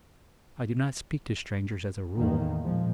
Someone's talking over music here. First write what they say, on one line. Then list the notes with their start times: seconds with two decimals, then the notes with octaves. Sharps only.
I do not speak to strangers as a rule.
2.18 E2 A2 D#3 A#3
2.62 A#2 F3 G#3